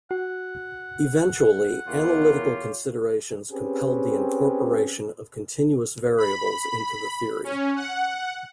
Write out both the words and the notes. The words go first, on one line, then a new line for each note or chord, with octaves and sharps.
Eventually, analytical considerations compelled the incorporation of continuous variables into the theory.
F#4 F#5
E2 F4 G4 A#4 C#5
C4 C#4 G4 G#4 B4
B5
C#4
F#5